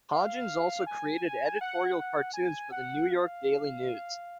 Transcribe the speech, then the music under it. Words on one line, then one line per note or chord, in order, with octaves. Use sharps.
Hodgins also created editorial cartoons for the New York Daily News.
F5
G#5
F#5
F#5
G#5
F#5
F5